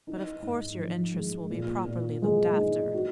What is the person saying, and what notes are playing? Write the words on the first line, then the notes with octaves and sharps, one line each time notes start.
'But of course your interests will be properly looked after.
D#4
G#2
F3
G#3
A#2
A#2
G#3
D#4
F#4